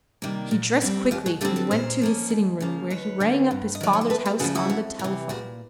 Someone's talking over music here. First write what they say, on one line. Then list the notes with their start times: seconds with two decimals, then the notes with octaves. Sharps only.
He dressed quickly and went to his sitting-room, where he rang up his father's house on the telephone.
0.22 C3 D#3 G3 A#3
0.51 A#2
0.82 G3 C4
1.11 D#2 F4 G4
1.26 F#4 G#4
1.41 D3 G3 C4 G4 A4
1.56 A4 B4
1.71 A#2 A#4 C5
2.02 F3 A#3 C#4
2.30 D#2
2.60 C#3 F3 A#3
2.90 D#2 B4 C#5
3.20 D3 F#3
3.51 G2
3.75 D#5
3.81 D#3 F#3 D5
3.93 C#5
4.01 C5
4.10 E2 A4 B4
4.26 G4 A4
4.39 C#3 F#4 G#4
4.44 F3
4.55 E4 F#4
4.70 F2
4.99 C3 E3
5.29 A#2 F#4 G#4